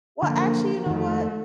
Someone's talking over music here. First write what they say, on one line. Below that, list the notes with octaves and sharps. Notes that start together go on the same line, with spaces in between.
Well, actually, you know what?
F#2 D3 F3 A#3
F2 D#3 A3